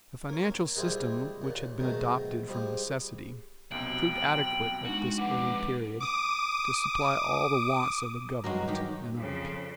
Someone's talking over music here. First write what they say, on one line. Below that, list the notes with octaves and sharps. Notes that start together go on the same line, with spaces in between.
The financial system which had been adopted from necessity proved adequate at this early period to supply all the wants of the Government and of the people.
A#3 C#4
A#2 G3 G#3 C4 E4 F4
D#2 A#2
G#2 B2 D#3 F#3 A3
F3 G3 G#3
B1 F#2 C3 G5 F#7
G#3 D4 D#4 F#4
F2 B4 F#5 D6
D6 D#6
G2 F#3 G#3 F#4 A#4 A#5
D#3 G4
F2 C#3